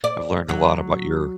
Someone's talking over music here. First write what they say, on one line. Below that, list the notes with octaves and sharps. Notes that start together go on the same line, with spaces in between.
I've learned a lot about your
D5
F#3